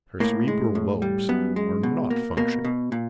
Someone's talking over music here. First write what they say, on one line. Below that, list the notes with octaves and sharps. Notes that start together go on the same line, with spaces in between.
Her cerebral lobes are not functioning.
A2 A#3
G#3
A2
G3
F#2 B3
G#3
B2
A#3
B2 A#3
B2
A#2